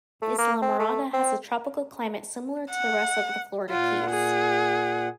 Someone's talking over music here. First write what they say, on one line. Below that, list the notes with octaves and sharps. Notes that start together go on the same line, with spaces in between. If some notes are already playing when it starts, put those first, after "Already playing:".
Islamorada has a tropical climate similar to the rest of the Florida Keys.
A3
A#3
C4
A3
C4
F#5
A#2 F4 F#5
G#4